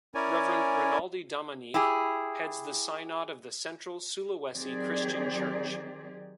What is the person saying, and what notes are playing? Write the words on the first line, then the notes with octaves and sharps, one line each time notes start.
Reverend Renaldy Damanik heads the synod of the Central Sulawesi Christian Church.
C#4 E4 A#4 C#5 D5 G#5
E4 G4 G#4
D#3 F#3 C4 G4 G#4 D5